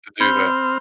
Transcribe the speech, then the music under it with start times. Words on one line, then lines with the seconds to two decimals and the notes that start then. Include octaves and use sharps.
to do that.
0.20 C4 B5 F6 G6 G7